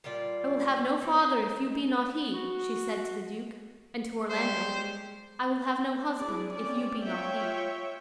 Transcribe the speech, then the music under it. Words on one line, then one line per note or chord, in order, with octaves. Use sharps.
"I will have no father if you be not he," she said to the Duke, and to Orlando, "I will have no husband if you be not he."
A#2 G3 F4 D5
E3 G#3
F#4
G3 G#3 G4 C5
E4 G#4 D5
C4 C#4 D5
F4 C#5 E5 G5